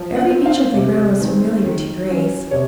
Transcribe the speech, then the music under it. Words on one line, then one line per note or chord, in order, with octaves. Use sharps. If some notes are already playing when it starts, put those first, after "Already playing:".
Every inch of the ground was familiar to Grace.
Already playing: F3
F#5
C4
F5
C3
D#3 G#3 C4
D#3
F#3 C#4
C3 C#5